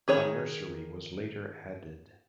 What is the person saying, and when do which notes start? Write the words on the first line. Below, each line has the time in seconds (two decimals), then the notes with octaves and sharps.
A nursery was later added.
0.08 D#3 G#4 C#5 A#5 B5